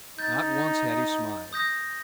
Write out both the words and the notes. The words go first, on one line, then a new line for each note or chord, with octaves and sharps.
Not once had he smiled.
D#4 G6 A6
D#6 G6 A#6